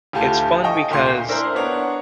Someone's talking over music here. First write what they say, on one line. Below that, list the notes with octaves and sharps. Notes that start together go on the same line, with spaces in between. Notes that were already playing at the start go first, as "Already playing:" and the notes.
it's fun because
D2 A2 F4 G4 G#5 A5
D#5 G5 C#6
D2 A#2 E5 F5 C6
G6 C7
D4 E4 A#4 C5 F6
B3 D4 C#5 F#5 A#5